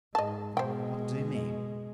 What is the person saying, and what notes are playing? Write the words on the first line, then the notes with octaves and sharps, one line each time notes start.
"What do you mean?"
G#2 G#3 D#5 A5
B2 G#3 C5 G5